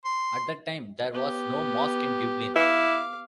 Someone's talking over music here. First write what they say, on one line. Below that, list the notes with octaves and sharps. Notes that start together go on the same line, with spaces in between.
At that time there was no mosque in Dublin.
C6
B3 G4
E4 F5 D6